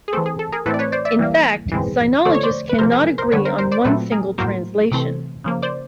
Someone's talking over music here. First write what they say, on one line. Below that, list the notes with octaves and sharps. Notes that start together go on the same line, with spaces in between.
In fact, Sinologists cannot agree on one single translation.
G#4
E3 A3 C4 A4
G#4
A4
G#4 A#4
A2 E3 A3 C4 A4 B4
D5
B4 C#5
C5 D5
D5 E5
E3 G3 A#3
E3 G#3 C4
D3 F3 A3 C4 D5
C#5
C5 D5
B4
C3 F3 A#3 A#4 C5
G#4 A#4
A#4 C5
D3 G3 B3 B4 C#5
A#4 C5
A#4 C5
C5 D5
A#2 F#3 A3 C4 A4 B4
G#4 A#4
A2 F#3 A#3 A#4 C5
C3 E3 A3 C4
C#3 F3 A#3
C5 D5